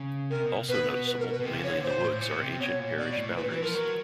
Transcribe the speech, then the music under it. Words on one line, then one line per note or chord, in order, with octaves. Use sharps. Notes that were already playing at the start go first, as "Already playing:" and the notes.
Also noticeable, mainly in the woods are ancient parish boundaries.
Already playing: C#3
C3 A#4
B2
B2 B4
B4
A#4
B4
B2
C3
C#3
C#5
D3
A#2 C5
A2
A#2
C3
B2 C#5
A#2
B2 D5
A2
A#2 B4
E3 B4
F3 A#4
F#3